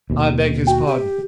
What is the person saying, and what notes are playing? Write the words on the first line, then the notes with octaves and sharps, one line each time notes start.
I beg his pardon.
D#2 B2
F#4 G5
G4